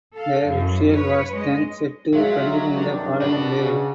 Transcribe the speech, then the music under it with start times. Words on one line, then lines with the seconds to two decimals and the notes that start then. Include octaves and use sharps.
The retrial was then set to continue the following day.
0.13 A4 F5
0.47 F#2 E3
0.91 B4 C#5
1.33 G#3 D#5
2.13 F#3 G#3 F4 E5
2.71 G2 C3 D#3 D4
3.21 F#4 B4
3.58 C#3